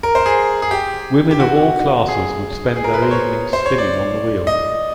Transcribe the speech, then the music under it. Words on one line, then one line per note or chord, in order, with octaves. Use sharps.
Women of all classes would spend their evenings spinning on the wheel.
A#4
C5
G#4
G#4
G4
G4
F#4
G#4
G#4
A#4
B4
C5
C#5
C5
C#5
D5
D#5